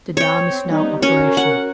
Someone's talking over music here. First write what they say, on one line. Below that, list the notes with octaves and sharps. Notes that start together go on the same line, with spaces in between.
The dam is now operational.
C4 C#5 G5
G3 B3 D#4
C#4 F#4 A#4 C#5
F#5